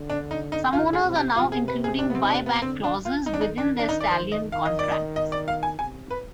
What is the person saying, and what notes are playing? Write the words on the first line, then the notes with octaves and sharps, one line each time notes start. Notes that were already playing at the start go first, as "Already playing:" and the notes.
Some owners are now including buy-back clauses within their stallion contracts.
Already playing: D3
D4
D#4
D#4
D3 F4
G#4
C3
G4
C3 F4
G#4
B4
G#4
D4
B3
C4
D#4
D4
B3
D3 C4
D4
F4
D#3 D#4
D4
D#4
D4
D4
D#4
D5
C5
D#5
D#3 F5
D#5
D5
D#5
D#5
D5
F5
G#5
C3 G#5
B4